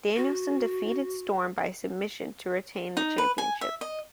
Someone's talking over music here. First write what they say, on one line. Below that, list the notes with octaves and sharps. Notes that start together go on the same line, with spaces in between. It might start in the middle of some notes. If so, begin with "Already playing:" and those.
Danielson defeated Storm by submission to retain the championship.
F#4
D#4
B4
G#5
E5
D#5